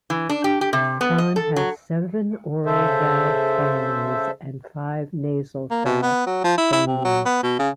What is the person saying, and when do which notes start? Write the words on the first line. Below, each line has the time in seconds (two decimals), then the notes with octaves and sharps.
Fon has seven oral vowel phonemes and five nasal vowel phonemes.
0.10 E3
0.29 D4
0.44 G4
0.61 G4
0.73 C3
1.01 B3
1.18 D#5
1.36 A4
1.56 F#3
2.66 C#3 A4 C5 E5
5.71 A#3
5.86 B2
6.03 B3
6.26 F#3
6.44 F3
6.58 E4
6.73 E4
6.87 C3
7.05 F#3
7.26 B3
7.44 B2
7.59 C#3